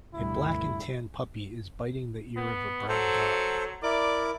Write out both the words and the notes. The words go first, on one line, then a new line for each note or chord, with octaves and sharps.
A black and tan puppy is biting the ear of a brown dog.
D2 G2 B2 E4
B3
F#3 A4 C5
E4 A#4 D5 D6